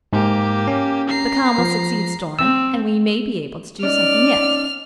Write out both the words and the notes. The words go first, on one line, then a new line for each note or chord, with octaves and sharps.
But calm will succeed storm, and we may be able to do something yet.
G#2 A#3 G4
C#4
A#5 C7
F3
C4 E6
C#4 D#4 D5 F6